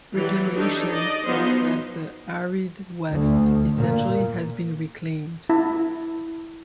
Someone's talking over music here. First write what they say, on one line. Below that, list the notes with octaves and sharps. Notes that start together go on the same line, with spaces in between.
Reclamation wrote that The arid West essentially has been reclaimed.
E3 F#3 G3
D4 D#4 G4 A4 C#5
D5 D#5
F3 F#3 B3 D#4 C5
D2
A#2
E4